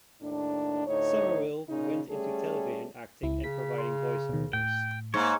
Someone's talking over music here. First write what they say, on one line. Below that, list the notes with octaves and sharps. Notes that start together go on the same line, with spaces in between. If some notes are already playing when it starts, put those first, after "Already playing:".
Somerville went into television acting and providing voice-overs.
D#2 A2 D4
D2 A2 D#4 C#5
A#2 C#3 C#4 D#4
G3 A3 C#4 G#4 A4
C#2 E4
C#3 B6
C6
B2 D#3
A2 G5
G#2 A#3 C#5